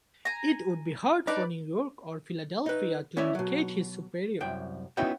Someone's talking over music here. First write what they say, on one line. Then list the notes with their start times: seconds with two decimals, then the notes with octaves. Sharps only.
It would be hard for New York or Philadelphia to indicate his superior.
0.25 G#5 A#5
1.27 D4 D#4 B4 D5
2.66 D#4 B4
3.17 C#4 E4 C#5 D5 E5
3.35 B2 F#3
4.41 C2 F#2 G5
4.97 B3 C#4 D#4 E4 F#4 G5